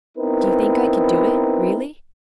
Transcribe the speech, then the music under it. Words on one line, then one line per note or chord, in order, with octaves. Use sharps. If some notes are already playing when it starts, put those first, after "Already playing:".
"Do you think I could do it, really?"
B3 C4 D#4 E4 A#4 B4